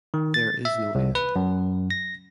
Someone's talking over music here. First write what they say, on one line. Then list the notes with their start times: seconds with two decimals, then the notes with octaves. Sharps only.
There is no end.
0.14 D#3
0.34 A6
0.65 E5
0.95 C2
1.15 B4
1.36 F#2
1.91 A#6